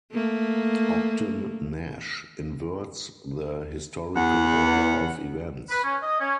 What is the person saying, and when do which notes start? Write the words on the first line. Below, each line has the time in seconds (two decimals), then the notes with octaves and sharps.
Ogden Nash inverts the historical order of events.
0.12 A3 A#3
4.16 E2 F#5
5.70 B4
5.84 C#4
6.03 D#5
6.20 C#4